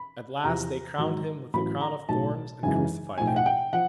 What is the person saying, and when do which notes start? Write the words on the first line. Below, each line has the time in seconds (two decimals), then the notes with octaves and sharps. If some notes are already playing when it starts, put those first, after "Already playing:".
At last they crowned Him with the crown of thorns and crucified Him.
Already playing: B5
0.44 E2 C3 F3 A#5
0.98 G#1 G#2 D#3 F#3
1.54 A1 A2 F#3 B5
1.81 A#5
2.09 B1 A2 F#3 A5
2.63 G#1 F#2 C#3 E3 G#5
3.18 B1 A2 F3 G#5
3.27 G5
3.36 F#5
3.46 G5
3.73 F3 F#5